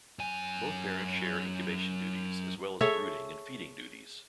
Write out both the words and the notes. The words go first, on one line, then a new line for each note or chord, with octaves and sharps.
Both parents share incubation duties, as well as brooding and feeding duties.
F#2 G#5
G#4 A4 C#5 E5